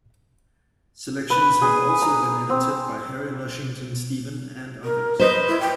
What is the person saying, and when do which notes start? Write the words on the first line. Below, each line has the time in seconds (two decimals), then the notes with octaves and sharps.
Selections have also been edited by Harry Lushington Stephen and others.
1.30 B4
1.62 G#4
2.02 A#5
2.50 C4
4.84 A#4
5.19 B4 C5 D#5
5.48 E4
5.60 G5